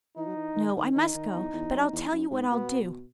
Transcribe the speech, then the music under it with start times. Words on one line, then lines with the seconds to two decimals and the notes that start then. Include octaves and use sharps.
No, I must go, but I'll tell you what I'll do.
0.16 E3 D#4
0.27 F#3
0.36 E3
0.56 D#3
0.75 D#3
0.95 D#3 D#4
1.14 D#3
1.34 E2
1.54 E2
1.73 F#2
1.92 E2
2.12 F#2
2.32 G#2
2.51 B2 B3